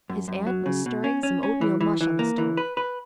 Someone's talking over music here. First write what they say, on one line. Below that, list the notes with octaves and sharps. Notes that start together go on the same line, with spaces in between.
His aunt was stirring some oatmeal mush on the stove.
F#2
F#2
F#3
C#3
B2
C#4
C#4
C#4
E3
E3
E3
A#3
E3
B4
B4